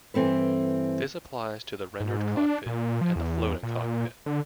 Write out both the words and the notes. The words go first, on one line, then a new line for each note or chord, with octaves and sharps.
This applies to the rendered cockpit and the floating cockpit.
G2 E3 C4 A4 B4
G#2
D4
A#2
F3
E2
A#2
D3